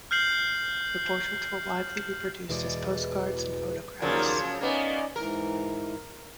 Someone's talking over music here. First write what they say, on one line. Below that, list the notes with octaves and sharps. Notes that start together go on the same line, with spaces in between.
The portraits were widely reproduced as postcards and photographs.
F6 G6 C7 F#7
E2 B2 E3 G#3 D5
D#2 C#3 F3 F#3 A#4 D5
A#3 B3 C#4 D#4 D5
G#2 E3 A#4